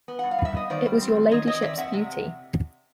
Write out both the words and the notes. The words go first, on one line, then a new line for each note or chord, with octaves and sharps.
It was your Ladyship's beauty.
B3
G2 F#5
F5
G3
E5
B3 D#5
D#3 C5 D5
G3
C4
D#3
D#3 C#5 D#5
C4 C#5 D#5
D#3 D5 E5
C4 E5 F#5
C3